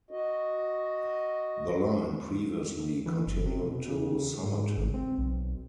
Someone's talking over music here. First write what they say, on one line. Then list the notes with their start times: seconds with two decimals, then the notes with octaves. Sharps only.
The line previously continued to Somerton.
0.11 F#4 D#5
3.06 E3
3.27 F#1
3.45 C3
3.71 B2
3.88 C#3
4.44 G#2
4.77 G#1
4.94 C4
5.18 B1